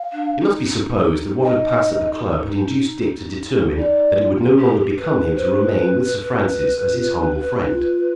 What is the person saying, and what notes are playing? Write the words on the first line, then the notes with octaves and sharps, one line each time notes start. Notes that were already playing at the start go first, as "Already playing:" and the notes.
It must be supposed that what had passed at the club had induced Dick to determine that it would no longer become him to remain with Sir Francis as his humble friend.
Already playing: F5
D4
D#4
D#4
D#5
D#4 D5
F4
G4
B4
B4 C5
F4
D#4
F4